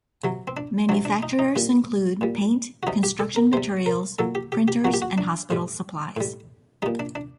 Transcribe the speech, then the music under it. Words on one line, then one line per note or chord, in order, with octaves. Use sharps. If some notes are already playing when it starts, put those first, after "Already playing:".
Manufacturers include paint, construction materials, printers, and hospital supplies.
C3 F#3
C4
D4
C3 F#3 D4
D4
D#4
D#4
A#2 G3
A#2 G3
F#4
C3 G3 D#4
G4
A4
A#4
C3 G3 C5
A#4
A#2 F#3 A4
G4
G4
G4
A#2 F#3 F#4
G4
F#4
D4
A2 G3
A2 G3
A#2 G3 D#4
D4
D4